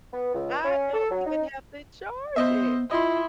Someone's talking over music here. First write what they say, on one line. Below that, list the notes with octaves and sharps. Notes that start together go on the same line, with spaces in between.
I don't even have to charge it!
B3
C#2
C#4
A4
F#3
D#4
B3 C5 D#5 E5
E4 F4 D#5 C6